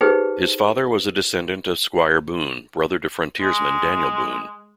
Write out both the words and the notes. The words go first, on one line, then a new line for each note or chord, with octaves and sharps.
His father was a descendant of Squire Boone, brother to frontiersman Daniel Boone.
D#4 G4 G#4 B4 C5 G5
G#3